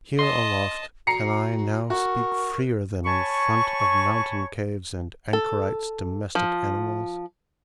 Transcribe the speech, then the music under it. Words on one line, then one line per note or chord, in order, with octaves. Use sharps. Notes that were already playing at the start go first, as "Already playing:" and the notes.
Here aloft can I now speak freer than in front of mountain-caves and anchorites' domestic animals.
D#5 A5 C6
F#4 A#5 C7 C#7
F#4 A#4 C#6
C#5 G#5 A5 B5 C#6
A4
F3